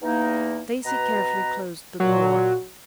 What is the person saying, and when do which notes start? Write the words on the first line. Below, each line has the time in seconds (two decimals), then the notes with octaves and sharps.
Stacey carefully closed the door.
0.01 E2 A#3 D#4
0.85 B2 B4 A#5
2.00 A#2 F#3